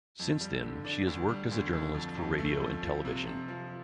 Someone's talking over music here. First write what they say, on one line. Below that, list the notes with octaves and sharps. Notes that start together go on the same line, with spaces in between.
Since then, she has worked as a journalist for radio and television.
F2
G3
D3
D4
D2
G3
D2
D2
F2
F2
A3
F2
F3
C3
C3
F3